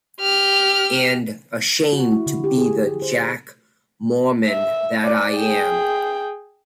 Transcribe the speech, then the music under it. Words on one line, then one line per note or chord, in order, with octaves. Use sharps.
And ashamed to be the Jack Mormon that I am.
G4 F6
F#4
E4
D3
G4
G#4
C5
E5
D5
G#4 G5